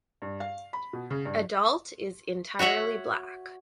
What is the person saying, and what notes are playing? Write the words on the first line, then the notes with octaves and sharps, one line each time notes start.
Adult is entirely black.
G2
F5
B5
B2
C#3
G2
F#4 C#5 E5 F#5